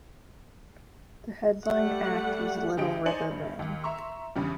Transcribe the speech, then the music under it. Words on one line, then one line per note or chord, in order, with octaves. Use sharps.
The headline act was Little River Band.
G3 A3 F#5
D2 D3 G4 G#4 D#5 D7
D#4 C5 D5 G#5 C#7 F#7
D2 G2
D#2
E5 A#5 C6 C#6 E6
E2 G2 C#3 G3